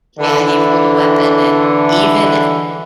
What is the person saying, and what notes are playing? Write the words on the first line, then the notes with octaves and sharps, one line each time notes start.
Yeah, he pulled a weapon, and even a eh,
D3 E3